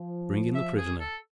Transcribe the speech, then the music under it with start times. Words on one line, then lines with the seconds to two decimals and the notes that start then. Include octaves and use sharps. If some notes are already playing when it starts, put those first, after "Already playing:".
"Bring in the prisoner."
Already playing: F3
0.55 E5
0.78 G#4
1.00 A4